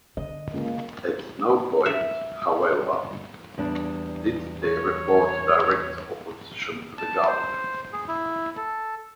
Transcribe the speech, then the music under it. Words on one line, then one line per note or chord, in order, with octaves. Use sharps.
At no point, however, did they report direct opposition to the government.
D3 D#5
C#2 A#3
E5
E2 G3 D4
C#5
A5
C5
G#4
E4
A4